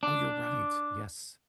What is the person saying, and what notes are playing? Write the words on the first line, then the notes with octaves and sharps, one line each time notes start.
Oh, you're right, yes,
D4